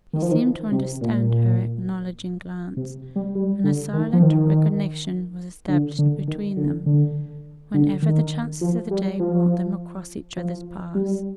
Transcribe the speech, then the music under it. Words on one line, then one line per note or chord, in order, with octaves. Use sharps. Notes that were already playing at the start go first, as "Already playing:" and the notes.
He seemed to understand her acknowledging glance, and a silent recognition was established between them whenever the chances of the day brought them across each other's paths.
D#3
F3
D#3
C3
A#2
C3
G3
G3
D3
D#3
F3
D#3
D3
D3
D#3
D3
D3
D3
D#3
F3
G3
F3
F3
G3